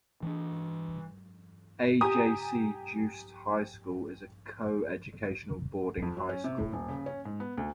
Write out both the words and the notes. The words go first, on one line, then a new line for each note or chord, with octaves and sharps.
A. J. C. Jooste High School is a coeducational boarding high school.
E3 C#4 D4
G4 G#5 A#5 D#6
F2
F#3
C#4
C3
A2
D#1
C#3
C#4
G#2
B3
D2